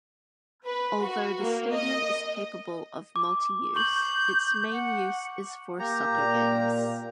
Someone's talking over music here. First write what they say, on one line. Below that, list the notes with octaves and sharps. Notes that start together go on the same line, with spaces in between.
Although the stadium is capable of multi-use, its main use is for soccer games.
B4
F#4
A#3
D#5
D6
C#6 G6 F#7
F#5
A#3 G4 A#5
A#2